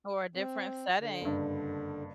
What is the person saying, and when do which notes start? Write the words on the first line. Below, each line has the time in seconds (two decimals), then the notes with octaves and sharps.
Or a different setting,
0.36 C4
0.99 D3
1.21 F#1 G2